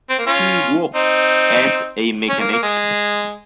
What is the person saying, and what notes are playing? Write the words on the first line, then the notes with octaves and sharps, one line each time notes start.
He works as a mechanic.
C4
A#3
C#4 F4
C4 D#4
C#4
A#3
A#3
G#3